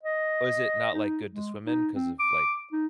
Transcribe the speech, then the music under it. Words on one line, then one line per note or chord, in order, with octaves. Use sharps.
Was it not, like, good to swim in 'cause of, like,
D#5
D#4
G#3
D#4
C4
D6
D#4